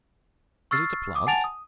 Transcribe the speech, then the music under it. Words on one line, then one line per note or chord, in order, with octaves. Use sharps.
Is it a plant?
C#6 E6 F6 A6 C7
D6 D#6
F#5 G#5 A5 A6 D7 F7
D#6